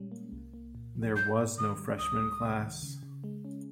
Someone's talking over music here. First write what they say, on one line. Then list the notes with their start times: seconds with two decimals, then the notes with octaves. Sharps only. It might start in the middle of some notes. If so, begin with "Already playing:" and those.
There was no freshman class.
Already playing: A#2 G3 G#3 C#4
0.12 A#3
0.32 C2
0.54 A#3
0.75 A#2
0.95 F3
1.15 G#2 G6
1.36 G#2
1.58 D#3 D#6
1.78 G3
1.98 C#2 D#6
2.19 G#3
2.40 C3
2.61 D#3
2.82 C#3
3.03 C#3
3.24 G#3
3.45 C#4